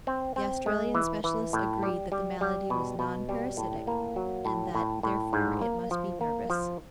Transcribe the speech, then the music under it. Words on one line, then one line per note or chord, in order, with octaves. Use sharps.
The Australian specialists agreed that the malady was non-parasitic, and that, therefore, it must be nervous.
C4
C4
G#3
E3
E3
A2
G3
G3
G3
B2
B2
G3
A2
A#3
F#3
A2
A2
A2
G#2
A#3
F3
A#3
F3